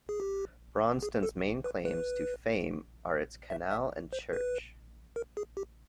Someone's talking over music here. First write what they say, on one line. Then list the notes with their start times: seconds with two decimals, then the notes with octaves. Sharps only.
Braunston's main claims to fame are its canal and church.
0.09 G#4
0.20 G4
1.03 G#4
1.23 A4
1.64 B4
1.85 B4
3.50 E5
3.71 E5
4.13 C5
4.33 B4
5.16 A#4
5.37 G#4
5.57 G4